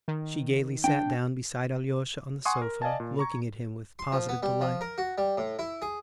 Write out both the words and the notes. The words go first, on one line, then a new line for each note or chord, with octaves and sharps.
She gayly sat down beside Alyosha on the sofa, looking at him with positive delight.
D#3
C#4 D4 G5
F#5 G#5 C6 C#6 D#6
A#4
D5 D#5 F5 G#5 A5
A#2
A#5 C#6 G#6
C6
F3
B3
G3
F3
A#4
F#4
G3
A2
E4
G#4